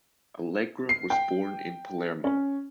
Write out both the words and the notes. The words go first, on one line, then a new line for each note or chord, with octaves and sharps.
Allegra was born in Palermo.
C7
G5
C#4